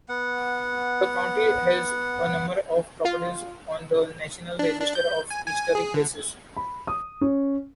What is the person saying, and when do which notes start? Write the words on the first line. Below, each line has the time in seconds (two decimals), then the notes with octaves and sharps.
The county has a number of properties on the National Register of Historic Places.
0.09 B3 F#5
3.05 F4
4.59 D4
4.80 D4
4.95 G6
5.30 G#5
5.47 G#5
5.75 G#4
5.94 D3
6.57 B5
6.87 D#6
7.21 C#4